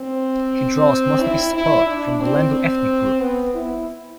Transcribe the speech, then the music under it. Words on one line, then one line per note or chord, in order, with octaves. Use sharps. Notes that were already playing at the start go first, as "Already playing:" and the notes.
He draws most of his support from the Lendu ethnic group.
Already playing: C4
E4
E4
D4
C4
B3
E4